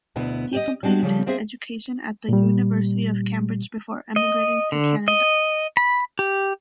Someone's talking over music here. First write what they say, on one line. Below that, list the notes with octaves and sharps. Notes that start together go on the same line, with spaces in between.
He completed his education at the University of Cambridge before emigrating to Canada.
D2 B2 B3 E4
G4 D5 D#5
G3 G#3 D4 F#4
C#3 F3 G3 A3
A#3 C4 G#4 C5 E5
A#2 G3
D#5
D3
D#5
B5
G4